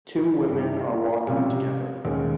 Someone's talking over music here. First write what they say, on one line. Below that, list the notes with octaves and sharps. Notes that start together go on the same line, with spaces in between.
Two women are walking together.
G2 G3 C4
C3 G3 C#4 F4
D#2 D#3 G#3 C#4